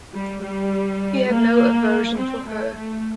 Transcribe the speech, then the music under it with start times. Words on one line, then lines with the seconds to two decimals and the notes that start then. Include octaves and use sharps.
He had no aversion for her.
0.14 G3
0.43 G3
1.30 A#3
2.18 C4
2.48 A3
2.77 A3